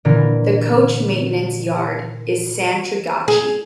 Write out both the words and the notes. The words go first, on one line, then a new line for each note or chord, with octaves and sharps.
The coach maintenance yard is in Santragachi.
A#2 D3 E3 A#4
G#4